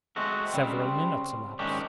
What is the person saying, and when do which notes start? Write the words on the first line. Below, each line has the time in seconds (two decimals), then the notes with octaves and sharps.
Several minutes elapsed.
0.16 G#3 A3 C4 F#4
0.53 C#3 G3 C4
1.59 G#2 D#3 C#4 D4 G4